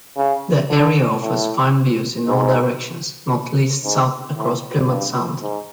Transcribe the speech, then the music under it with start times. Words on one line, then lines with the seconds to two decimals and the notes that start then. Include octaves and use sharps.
The area offers fine views in all directions, not least south across Plymouth Sound.
0.17 C#3
0.70 D3
1.22 A2
2.27 G#2
3.84 G#2
4.37 A2
4.89 G2
5.42 G#2